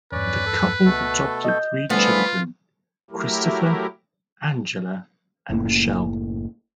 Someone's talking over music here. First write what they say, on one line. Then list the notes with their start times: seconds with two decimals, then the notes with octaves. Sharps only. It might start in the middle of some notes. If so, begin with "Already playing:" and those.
The couple adopted three children: Christopher, Angela and Michelle.
0.12 E2 G2 C#4 B4 D5
0.46 A4
0.85 C#2 B2 A3 A4
1.45 D#5 G6
1.90 D3 E3 F3 G3 A3 B3 F4
3.11 F#3 A3 E4 G4 A#4
5.50 F#1 A2 A#3